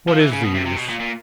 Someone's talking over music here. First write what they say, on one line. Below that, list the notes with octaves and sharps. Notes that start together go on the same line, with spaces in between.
What is the use?
F3
E3
C#3
B2
C3
C3
B2
A#2
A#2